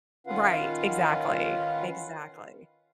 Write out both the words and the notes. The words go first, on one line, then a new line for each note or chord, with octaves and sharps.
Right. Exactly. Exactly.
D#3 C#4 F4 B4 F5 F#5